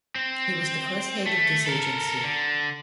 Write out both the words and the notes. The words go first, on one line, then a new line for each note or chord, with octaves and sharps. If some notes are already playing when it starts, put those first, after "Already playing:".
He was the first head of this agency.
C4
A3
A4 A#4
D3